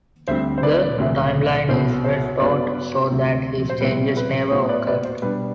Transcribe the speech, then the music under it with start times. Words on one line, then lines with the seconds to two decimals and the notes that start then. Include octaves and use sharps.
The timeline is restored so that his changes never occurred.
0.28 D2 D3 G3 C4 C5 E5
0.58 C5
0.63 B4 D5
0.98 D2 C3 E3
1.69 C2 B2 F#3 B3 C5
2.04 C5
2.39 G2 F#3 B3 D4 B4 D5
3.10 D2 C3 F#3 C4
3.70 C5
3.81 B2 G3 C4 E4 B4
4.17 B4
4.51 A2 F#3 B3 E4 C5
4.69 B4 D5
4.87 B4 D5
5.05 C5
5.22 B2 G3 D4 B4